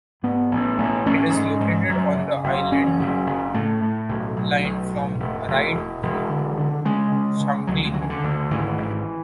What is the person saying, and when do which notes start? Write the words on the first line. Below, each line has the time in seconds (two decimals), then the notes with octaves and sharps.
It is located on the Island Line from Ryde to Shanklin.
0.23 G#2 B3
0.51 A1
0.78 A1
1.06 A1 C#4
1.33 G#2
1.60 G#2
1.89 F#2
2.16 C#3
2.44 F#1
2.71 F#1 C#4
2.99 F#1
3.26 F#1
3.54 A2 A3
3.82 A2
4.09 B1
4.37 B1
4.64 B1
4.92 A2
5.19 E1
5.47 E1
5.74 E1
6.02 E1
6.29 D3
6.58 D3
6.85 C#3 G#3
7.12 C#3
7.40 C#3
7.67 D2 F#3
7.85 G#3
7.94 C#3 F#3
8.02 E3
8.10 D3
8.23 D2
8.51 G#1 E3
8.78 G#1